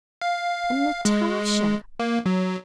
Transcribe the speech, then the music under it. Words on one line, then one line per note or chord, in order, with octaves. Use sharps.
And Natasha!
F5
G#3
A#3
F#3